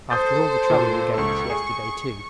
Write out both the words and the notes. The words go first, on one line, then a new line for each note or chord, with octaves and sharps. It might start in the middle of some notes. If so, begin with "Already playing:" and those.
After all the trouble you gave us yesterday too!
A4 C5 D#6 G6 A6
A#2
C#2 A4 C#6
G#4